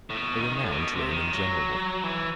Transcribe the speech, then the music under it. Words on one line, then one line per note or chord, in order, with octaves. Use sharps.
A renowned Roman general.
A2
B2
D#3
A2
C3
B2
C3
D#3
F#3
E3